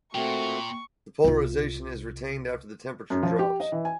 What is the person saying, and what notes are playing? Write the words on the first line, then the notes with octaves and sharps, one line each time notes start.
The polarization is retained after the temperature drops.
A#2 A3 C4 F#4 G5 C#6
C2 F4
F#2
F3
G4
D#5
E3
G#5